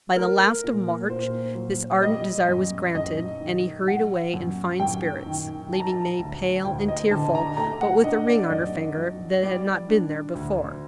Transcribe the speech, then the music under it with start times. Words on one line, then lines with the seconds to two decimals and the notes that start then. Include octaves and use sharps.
By the last of March this ardent desire was granted, and he hurried away in fine spirits, leaving May pale and tearful, but with a ring on her finger that had not been there before.
0.16 A3 A#4
0.64 A#2
1.09 A#2 C5
1.55 F#3
2.02 G3 D#5
2.48 F#2
2.95 F#2 D#5
3.41 D#3
3.87 F#3 F#5
4.34 F#2
4.80 F#2 G5
5.26 D#3
5.73 F#3 A5
5.80 A#5
5.89 A5
6.19 D2
6.65 D2 G5
6.88 D#5
7.11 D3 A5
7.35 A#5
7.57 A3 A#5
7.81 F#5
8.04 D4 D#5
8.27 D5
8.50 F#2 D#5
8.97 F#3
9.43 G3 D5
9.89 D4
10.35 D2